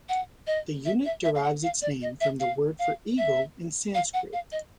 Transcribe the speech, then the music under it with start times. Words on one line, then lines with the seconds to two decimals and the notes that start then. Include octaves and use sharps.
The unit derives its name from the word for eagle in Sanskrit.
0.09 F#5
0.47 D#5
0.85 E5
1.05 E5
1.24 E5
1.35 F5
1.43 F#5
1.63 F5
1.82 D5
2.02 D#5
2.21 E5
2.40 F5
2.79 F5
3.18 E5
3.95 F5
4.14 F#5
4.33 F5
4.52 D#5